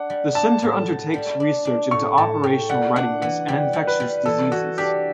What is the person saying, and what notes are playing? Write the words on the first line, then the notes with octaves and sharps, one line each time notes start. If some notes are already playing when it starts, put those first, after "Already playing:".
The center undertakes research into operational readiness and infectious diseases.
Already playing: D4 F#5
G3
D4 A5
A2
A2
G3
D4
D4
A2 C#6
A2 A5
A2 G5
G3 F#5
D4 F#5
E3 F#5
G3 G5
G3
B4
G3
E3 A4
E3 F#4
D4 G4